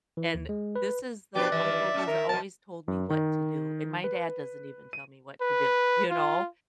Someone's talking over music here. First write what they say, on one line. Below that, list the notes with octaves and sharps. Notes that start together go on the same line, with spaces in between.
And this is the uncle who's always told me what to do, and my dad doesn't even tell me what to do. You know?
E3
D#2
G#3
B4
B2 F3 D4 G4 B4 D5
G2 D#3 E3 E5
F#2 A3 A4
D#3 A#4
B2 F3 A5
F#2
D#3
B4
D#7
B4
F4